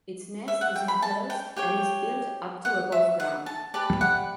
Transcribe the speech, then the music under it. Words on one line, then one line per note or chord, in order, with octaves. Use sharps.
Its nest is enclosed and is built up to above ground.
E5
F#5
G5
B5
A5
G5
G4 C#5 G5
F#5
E5
F#5
A5
G4 B4 D5 A5
F#5